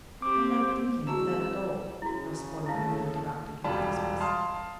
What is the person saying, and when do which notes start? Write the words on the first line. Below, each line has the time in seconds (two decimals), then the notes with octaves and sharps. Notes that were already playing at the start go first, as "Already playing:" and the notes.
"I'm not thinking of that at all," Raskolnikov interrupted with disgust.
0.22 C4 G4 D6
1.07 E3 G#3 C4 F#4 A5 A#5 E6
2.02 C#3 E4 F#4
2.66 D#2 A3 E4 E5 F5 A5
3.64 E1 G3 F4 D5 A5 B5
4.20 F5 A5 C6 D#6 F6